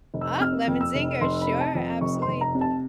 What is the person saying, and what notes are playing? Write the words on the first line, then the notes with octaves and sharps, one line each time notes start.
Ah, lemon zinger, sure, absolutely.
F1
E6
C3 F6
F2
E6
F1
F1 C6
B5
C3
A5
F2
F1 C#6
C6
F1
A#5
C3
A5